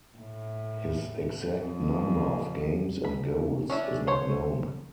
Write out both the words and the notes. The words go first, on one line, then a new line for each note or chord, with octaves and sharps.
His exact number of games and goals is not known.
A2
F2
B5
C#4 D4 E4
C5 C#5